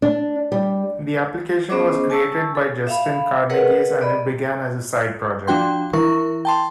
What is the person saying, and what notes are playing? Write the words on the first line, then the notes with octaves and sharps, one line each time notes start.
The application was created by Justin Karneges and it began as a side project.
D4
G3
B3 C#4 G#4 C5 D#5 D6
G#5 A5 C#6 E6
A4
E5 F5 B5
G#4 A#4 B4 C#5 D#5 F#5
D5 D#5 B5
F3 D4 F#4 G5 C6
E3 E4 A#4 C#6
G5 A5 C6